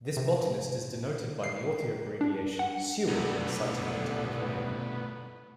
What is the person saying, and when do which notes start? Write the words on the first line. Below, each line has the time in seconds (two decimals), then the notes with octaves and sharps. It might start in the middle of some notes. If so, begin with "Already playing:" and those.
This botanist is denoted by the author abbreviation Seward when citing a botanical name.
0.17 C3
1.44 C7
2.21 D4
2.59 F#5
3.08 C2 B2 D3 A3 B3 B4